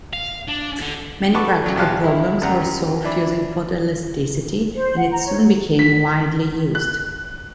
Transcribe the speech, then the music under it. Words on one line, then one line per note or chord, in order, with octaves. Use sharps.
Many practical problems were solved using photoelasticity, and it soon became widely used.
F5
D4
D3
A4 B4 F#5 A5 C#6 D6
C#3 F#3 G3
A#1 E2 F3 G4 F5 F#6
G#3 E4
F#2 G3 F#5 A#5
E3 D4 B5
C5
F#5
A#5
C#5
B6
F#6